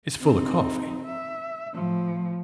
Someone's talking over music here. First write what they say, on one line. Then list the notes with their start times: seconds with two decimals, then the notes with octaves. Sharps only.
It's full 'a coffee.
0.22 C4 D#4
1.05 E5
1.75 A2 F3